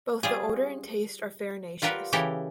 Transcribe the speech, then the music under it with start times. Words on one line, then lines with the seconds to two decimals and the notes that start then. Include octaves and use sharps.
Both the odor and taste are farinaceous.
0.23 G3 F4 G#4
1.82 G3 F4 G4 A#4 B4 F#5
2.13 C#3 E3 E4 G4 A4 A#4